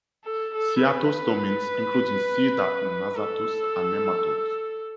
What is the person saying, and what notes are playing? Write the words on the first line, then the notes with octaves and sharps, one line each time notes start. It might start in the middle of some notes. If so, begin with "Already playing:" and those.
Cyathostomins, including "C. nassatus," are nematodes.
A4
A4
B4
A4